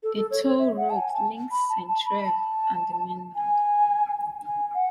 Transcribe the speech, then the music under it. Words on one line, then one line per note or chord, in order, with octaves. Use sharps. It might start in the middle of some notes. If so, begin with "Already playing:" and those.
A toll road links Centrair and the mainland.
A4
A4
C#5
C#5
E5
F#5
A5
G#5
A5
B5
A5
A5
B5
A5
G#5
G#5
F#5